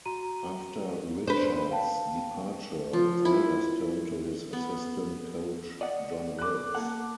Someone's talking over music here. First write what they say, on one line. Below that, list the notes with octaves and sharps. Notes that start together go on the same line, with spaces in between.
After Richards' departure Tigers turned to his assistant coach John Wells.
F#4 A#5 D#7
D4 B4 C5
F5 G5 A5
F3
E4
B3
D5 D#5 F#5
D6 F#6
A#3 A4 F#5